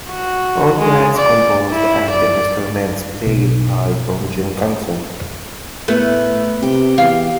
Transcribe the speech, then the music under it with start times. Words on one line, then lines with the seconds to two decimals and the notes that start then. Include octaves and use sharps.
All tracks composed and instruments played by Tom Jenkinson.
0.10 F#4
0.79 G#3
1.16 D5
1.72 E4
2.10 D5
3.26 B1
5.88 A2 A3 B3
6.63 C3 G4
6.98 E2 F5